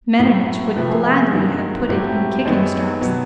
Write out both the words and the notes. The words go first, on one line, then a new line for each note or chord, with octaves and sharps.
Metternich would gladly have put it in kicking-straps.
A2 F#3 A3
C3 F3 A3 B4
G#4
G#4
G#4
G2 D#3 F#3 A#3
A2 F#3 A3 C4 G4
G4
F#2 D#3 G#3 B3
B2 F#3 B3